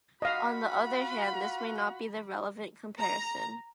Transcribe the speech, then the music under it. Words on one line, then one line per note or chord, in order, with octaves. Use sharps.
On the other hand, this may not be the relevant comparison.
F4 F#4 D#5 F5 F#5 B5
A#5